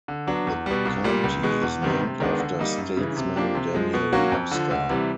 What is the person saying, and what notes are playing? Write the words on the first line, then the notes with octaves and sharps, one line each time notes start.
The county is named after statesman Daniel Webster.
D3
F#3 B3 D4
E2
B2 G3
C2
A#2 G3
C#2
B2 G#3
E2
C3 D#3 G3 B3
C3
D#3 G#3 B3 D4
D3
G3 A#3 D#4
F#2
C#3 E3
C3
F3 A#3 D4 G4
C3
F3 G#3
B2
F#3 A#3 C#4 F#4
F2
D3 F3
D2
C3 E3 G3